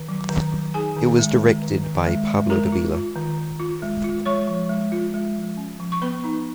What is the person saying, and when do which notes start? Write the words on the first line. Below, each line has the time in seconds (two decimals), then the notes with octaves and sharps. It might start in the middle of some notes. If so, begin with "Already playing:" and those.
It was directed by Pablo Davila.
Already playing: D#3
0.09 F#3
0.30 D#3
0.52 F#3
0.74 D#4 G#4 G#5
0.96 D#3
1.19 G#3
1.40 D#3
1.63 D#3
1.84 D#3
2.07 G#3
2.28 G#3
2.50 G#3 A#4 A#5
2.72 F4
2.94 F4
3.16 D#3
3.38 D#3
3.60 F4
3.82 G#3
4.04 F4
4.26 G#3 C#5 C#6
4.48 F3
4.69 G#3
4.92 F4
5.14 G#3
5.36 F3
5.57 C#4
5.80 F3
5.92 C#6
6.02 B3 B4 B5
6.24 D#4